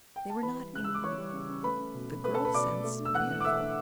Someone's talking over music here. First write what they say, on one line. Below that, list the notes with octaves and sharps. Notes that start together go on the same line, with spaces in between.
They were not, in the girl sense, beautiful.
G5
A5
E3 B4 B5
G3
C#3 F#6
C#4 E6
D6
E3 C#5 C#6
G3
C#3
C#4
A3 B4 B5
C#4
B2
B2
A3 B4 B5
A4 A5
C#4
B4 B5
B2 D5 D6
B2
A3
D4
E6
E3 F#5 F#6
E3
D6
A3 E5 E6
D4